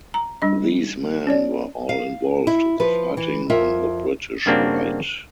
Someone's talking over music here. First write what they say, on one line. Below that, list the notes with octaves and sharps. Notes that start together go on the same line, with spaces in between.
These men were all involved in the fighting on the British right.
A#5
G3 D4 D#5
C#4 C#5 D5
F5
E4
F3 B4
E3
F2 F4 A#4 E5
G2 C#3 A#3 C4 D4 F#4